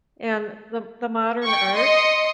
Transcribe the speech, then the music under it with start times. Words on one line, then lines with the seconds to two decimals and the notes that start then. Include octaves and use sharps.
And the the modern art
1.43 G5 C#6
1.76 D#5 C6 D#6 C#7